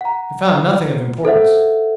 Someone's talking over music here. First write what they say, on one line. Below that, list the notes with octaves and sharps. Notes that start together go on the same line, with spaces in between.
They found nothing of importance.
F#5 A#5
A4 C5 E5 F#5